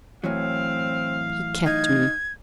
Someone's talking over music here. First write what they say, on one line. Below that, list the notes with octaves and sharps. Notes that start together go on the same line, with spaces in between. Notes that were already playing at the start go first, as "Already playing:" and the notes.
"He kept me."
A2 E3 F#3 C4 F5
D#4 G#6